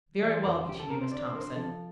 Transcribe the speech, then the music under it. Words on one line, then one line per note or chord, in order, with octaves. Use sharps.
"Very well," continued Miss Thompson.
E3 D5
C5
F2 A#4
C5
D2 G4
A4
C3 A#4
C5
D3 D5
C5
D3 A#4
C5
F3 A4